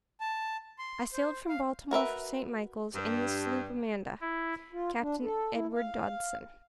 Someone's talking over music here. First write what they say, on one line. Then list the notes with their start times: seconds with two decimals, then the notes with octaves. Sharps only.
I sailed from Baltimore for St. Michael's in the sloop Amanda, Captain Edward Dodson.
0.20 A5
0.79 C6
1.13 C5
1.49 F5
1.91 F#4 A#4 B4 E5
2.94 G2
4.21 E4
4.73 F4
5.02 D4
5.23 A4
5.55 E4
5.74 F5